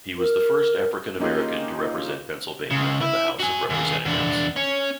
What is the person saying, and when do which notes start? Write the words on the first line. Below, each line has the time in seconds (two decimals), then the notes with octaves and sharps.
He was the first African American to represent Pennsylvania in the House of Representatives.
0.18 A#4
1.20 A#3 C#4 D#4 F4 G4 G#4
2.71 C#2 C#3
3.01 E4
3.40 F#4 G#5
3.70 D#2 G#4
4.05 E2 D4
4.56 C#4